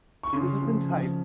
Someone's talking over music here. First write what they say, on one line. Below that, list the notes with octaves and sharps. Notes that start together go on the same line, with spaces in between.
This isn't hype.
C#6
C#3 C6
F3
F3